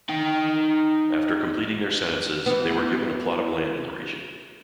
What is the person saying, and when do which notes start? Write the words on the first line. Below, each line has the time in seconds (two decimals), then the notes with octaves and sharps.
After completing their sentences they were given a plot of land in the region.
0.09 D#4 G5
2.46 E3 B3